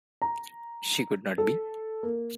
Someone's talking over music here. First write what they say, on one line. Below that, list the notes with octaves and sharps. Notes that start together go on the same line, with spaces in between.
She could not be.
A#5
A4
A#3